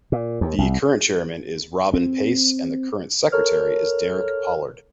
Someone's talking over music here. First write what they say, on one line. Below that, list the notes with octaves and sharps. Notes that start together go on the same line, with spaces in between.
The current chairman is Robin Paice and the current secretary is Derek Pollard.
A#2
D#2
C2
C4
A4 A#4 C#5 F6